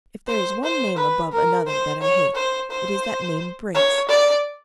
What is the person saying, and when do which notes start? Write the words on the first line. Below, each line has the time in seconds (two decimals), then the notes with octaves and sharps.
If there is one name above another that I hate, it is that name Brace!
0.28 C5
0.64 C5
0.97 B4
1.32 A#4
1.67 C5
2.02 C#5
2.35 C5
2.71 C5
3.74 C#5
4.09 D5